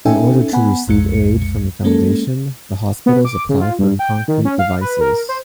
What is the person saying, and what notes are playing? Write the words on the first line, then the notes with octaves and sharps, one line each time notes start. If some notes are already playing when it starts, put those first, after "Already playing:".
In order to receive aid from the foundation, the hospitals apply for concrete devices.
C#4 D#4 A4 E5 G5 G#5
B3 F#5 G#5 B5
B1 F2 G#3 C#7
G#3 A#3 C#4 A4
B3
D6
C#3
F4
G2
G5
D#3
C#4
F5
B4
A#4
C5